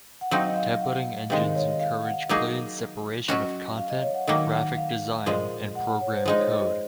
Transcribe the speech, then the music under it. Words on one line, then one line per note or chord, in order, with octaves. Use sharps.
Templating engines encourage clean separation of content, graphic design, and program code.
F#5
F#3 C4 D#4 F5
D#5
F5
F5
F#5
C3 D#3 G#3 F5
D#5
C#5
D#5
F5
F#5
F#3 A#3 D#4 G#4
F#3 C#4 F#4 D#5
F5
D#5
C#5
F#5
D#3 F#3 A#3
F#5
F5
A#2 F3 G#3
F#5
F#5
C#5
C5
F3 G#3 D#4 C5
C#5
D#5
D#5